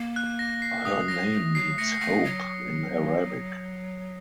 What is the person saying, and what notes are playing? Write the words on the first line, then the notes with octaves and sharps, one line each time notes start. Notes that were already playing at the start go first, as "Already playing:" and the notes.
Her name means "hope" in Arabic.
Already playing: A#3
F#6
A#6
C7
A3 D#6
F#3 A#6
A3
F#3 C7
A3 A#6 C#7
A3 A#6
F#3